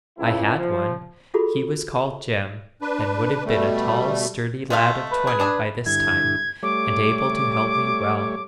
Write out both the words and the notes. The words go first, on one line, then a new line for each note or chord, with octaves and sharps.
'I had one: he was called Jem, and would have been a tall sturdy lad of twenty by this time, and able to help me well.
C#2 E4
F3
F4 F#4 G#4 A4 B5
D4 B4
B2 G3 A3
G#3 A3 F4 F5
B4
G#4
D4 G#4
G2 D3 E4 G#6
G3 A3 C#5 D6